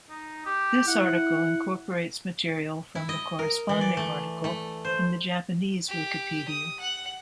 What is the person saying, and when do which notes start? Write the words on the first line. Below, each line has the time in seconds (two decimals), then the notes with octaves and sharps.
This article incorporates material from the corresponding article in the Japanese Wikipedia.
0.10 D#4
0.46 G4
0.87 E4 F#5
2.95 E4
3.09 D#5
3.39 A#4
3.69 E3
3.81 D5
3.97 A3
4.44 A3
4.85 C5
5.89 G4
6.48 D#6
6.80 F#5